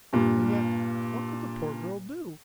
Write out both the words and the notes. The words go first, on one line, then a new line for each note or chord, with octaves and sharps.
And yet, what could the poor girl do?
G2 A#2